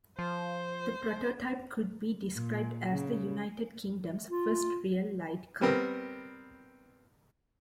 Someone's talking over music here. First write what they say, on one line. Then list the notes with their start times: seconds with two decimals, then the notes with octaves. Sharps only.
The prototype could be described as the United Kingdom's first real light car.
0.19 F3 C5
2.33 A#2
2.90 C#3
4.31 F4
5.61 G3 B3 C4 A#4